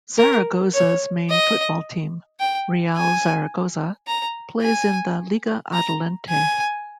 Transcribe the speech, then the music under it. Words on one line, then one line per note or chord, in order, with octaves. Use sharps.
Zaragoza's main football team, Real Zaragoza, plays in the Liga Adelante.
A#4
C#5
D#5
G5
G#5
A#5
G#5
A#5
G#5